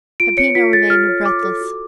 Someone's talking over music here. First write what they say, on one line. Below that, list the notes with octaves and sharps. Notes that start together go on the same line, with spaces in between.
Peppino remained breathless.
F4 D7
C#5 C#7
F4 B6
A4 A6
F4 F6
C#5
F4 D6
A4
F#4